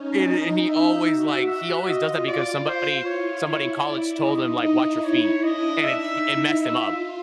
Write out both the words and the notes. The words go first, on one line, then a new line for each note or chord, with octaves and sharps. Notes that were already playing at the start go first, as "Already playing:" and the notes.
and and he always, like he always does that because somebody somebody in college told him, like, "Watch your feet," and it f it messed him up.
Already playing: C#4 D#4
D#5
D#4 E5
F#4
E5
F4 D#5
D5
C5
E4 C#5
C#5
D5
D#4 D#5
E4 D#5
C#5
D4 D#5
D#4 E5
E4
F4 E5